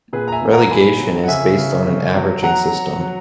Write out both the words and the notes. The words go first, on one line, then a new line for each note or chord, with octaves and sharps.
Relegation is based on an averaging system.
A#2 G#4 B4
A#5
E5 G#5
A#2
F#5 A#5
A#2 G#5 B5
F#3
F#5
C#3 E5 G#5
C#3
C#3
F#3
F#3 F#5 A#5
F#3
F#3